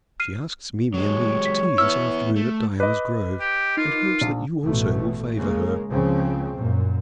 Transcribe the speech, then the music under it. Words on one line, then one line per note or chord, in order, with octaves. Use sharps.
"She asks Mimi and me to tea this afternoon at Diana's Grove, and hopes that you also will favour her."
F6 C7 D#7
F#3 G#3 C#5
B6
B3 E4 E6 F6
A3
B4 D#5 D6
G4
D#4 F4 A#4 D6
A#1
A1 B2 A3
C#3 G#3 A#3
C#2 C#3 F3 C4
F#2 A#2